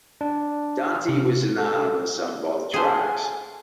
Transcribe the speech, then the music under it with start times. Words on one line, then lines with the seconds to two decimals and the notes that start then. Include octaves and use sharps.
Dante was anonymous on both tracks.
0.21 D4
1.09 C3
1.58 A4
2.74 A3 G#4 C5 G#5